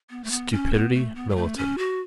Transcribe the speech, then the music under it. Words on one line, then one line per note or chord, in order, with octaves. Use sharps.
Stupidity militant.
B3
A3
B3
C#4
B3
A3
B3
F#3
A3
C#4
F#4